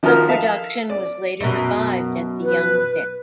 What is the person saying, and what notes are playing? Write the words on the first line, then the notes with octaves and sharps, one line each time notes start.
The production was later revived at the Young Vic.
D#3 F3 F4 F#4 A#4
A4 E5 F5 A5
D5
F#2 B2
B4